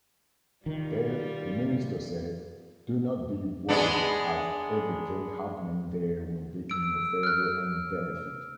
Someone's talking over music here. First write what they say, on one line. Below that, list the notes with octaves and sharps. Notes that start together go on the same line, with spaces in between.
There the minister said: Do not be worried as every thing happening there will be in your favor and benefit.
D#3 G3 F4
G#3 B3 D4
E6 D7
F6 F#6